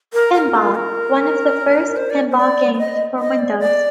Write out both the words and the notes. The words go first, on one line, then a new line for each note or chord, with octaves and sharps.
Pinball, one of the first pinball games for Windows.
A#4
A#4
F4
A#4
C5
D5
C5
D5
D5
D#5
D#5
D5
D5